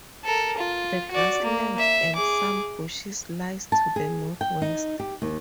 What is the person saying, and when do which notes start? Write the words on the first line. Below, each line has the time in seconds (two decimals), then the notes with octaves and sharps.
The grasslands and some bushes lies to the northwest.
0.24 A4 A#4
0.58 F4
1.11 F#4 D5
1.42 A#3
1.78 E5
2.15 G#4 D6
3.72 A5
3.96 G#4
4.41 G5
4.62 D#4
5.00 G4
5.22 D#2